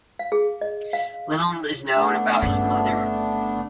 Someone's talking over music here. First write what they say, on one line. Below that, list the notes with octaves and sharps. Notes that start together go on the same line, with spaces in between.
Little is known about his mother.
F5
G#4
D#5
F5
A3 B3 D4
G1 C#3